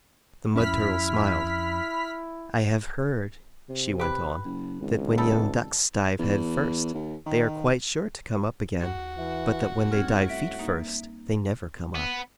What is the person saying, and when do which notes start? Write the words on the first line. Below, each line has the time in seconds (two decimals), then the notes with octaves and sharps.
The Mud Turtle smiled. "I have heard," she went on, "that when young Ducks dive head first, they are quite sure to come up again, but that when they dive feet first, they never come up."
0.56 F2 C#4 E4 B5 F6 B6
3.69 C3
3.99 G4 B4
4.45 F#1
4.81 G#1 C#2
5.18 G3 D#4 A4
6.19 E2
6.94 D#2
7.26 D#3
8.80 D#2 F#4
9.18 E3 E5
9.91 A2 G3 C4 C#4 D#4 F6 G#6
10.28 E5 B6 D7
10.59 A#3 D#4
11.95 B3